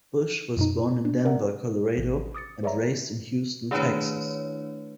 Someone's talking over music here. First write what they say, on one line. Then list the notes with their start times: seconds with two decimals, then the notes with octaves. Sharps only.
Bush was born in Denver, Colorado, and raised in Houston, Texas.
0.57 F#2 B2 D#4
1.05 D4
1.25 A#4 D5 E5 F#5 A#5
1.98 A1
2.34 D6 D#6 A6 C#7
2.63 G#4 B4 C#5 D5 E5 A#5
3.71 D#3 A3 D4 E4 B4 C#5